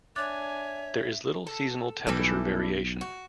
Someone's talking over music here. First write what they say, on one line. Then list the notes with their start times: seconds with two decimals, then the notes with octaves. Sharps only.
There is little seasonal temperature variation.
0.16 D4 C#5 E5 G#5 D6 F#6 A6
1.47 A4
2.07 B1 E3 G3 A4
3.01 F#4